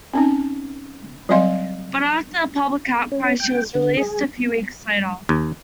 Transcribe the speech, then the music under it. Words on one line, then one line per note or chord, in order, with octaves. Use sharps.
But, after a public outcry she was released a few weeks later.
C4 C#4 D#4
F#3 G3 C4 D#5 F5 C6
C#4
G5
D3
G#4
D#2